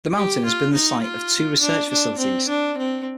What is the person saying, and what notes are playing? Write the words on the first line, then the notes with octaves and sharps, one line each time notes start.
The mountain has been the site of two research facilities.
G4
F4
D#4
F4
D4
D4
C4
D4
C4